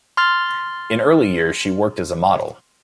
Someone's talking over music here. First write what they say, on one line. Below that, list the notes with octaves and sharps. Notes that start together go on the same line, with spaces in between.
In early years she worked as a model.
C6 F6 A6